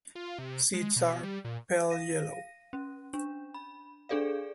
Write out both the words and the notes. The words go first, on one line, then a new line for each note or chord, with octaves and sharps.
Seeds are pale yellow.
F4
C3
G#3
B2
G3
A#2
F5 A#6 D#7
C#4
D4
B5
D4 G#4 A4 D5 F5